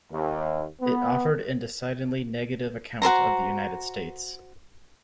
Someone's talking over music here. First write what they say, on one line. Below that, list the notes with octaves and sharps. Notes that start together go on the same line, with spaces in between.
It offered an decidedly negative account of the United States.
D#2
B3
F#4 A#4 C5 A#5